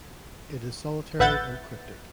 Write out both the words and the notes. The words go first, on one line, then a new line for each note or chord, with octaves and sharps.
It is solitary and cryptic.
A1 B4 E5 F#5 G6 A6